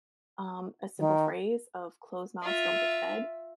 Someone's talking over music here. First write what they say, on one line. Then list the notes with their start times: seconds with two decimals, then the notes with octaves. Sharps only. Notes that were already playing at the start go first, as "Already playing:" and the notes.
um, a simple phrase of closed mouths don't get fed,
0.99 D#3
2.42 F4 E5